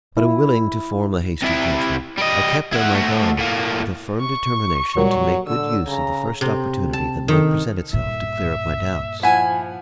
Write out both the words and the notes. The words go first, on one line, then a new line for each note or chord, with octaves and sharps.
But, unwilling to form a hasty judgment, I kept on my guard, with a firm determination to make good use of the first opportunity that might present itself to clear up my doubts.
E4
C3 E4
G3 D#5
E4 F#5
A3 F#4
A2 A#3
C#6
A#2 F#3 G3
D3 E6
C#3 A#5
C3
A5
D#3
G2 A#2 E5
F3 E4 F#5 G#5